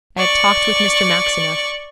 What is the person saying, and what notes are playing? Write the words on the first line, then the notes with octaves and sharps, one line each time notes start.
I have talked with Mr. Maxineff.
D5 C#6